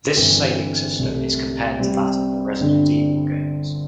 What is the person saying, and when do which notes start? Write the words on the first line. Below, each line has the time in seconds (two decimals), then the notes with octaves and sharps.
This saving system is compared that in the "Resident Evil" games.
0.17 G1 G2 E3 C4 A4
0.98 C2 C3 A3
1.79 C3 G3 C4 G4
2.60 G1 G2 D3 C4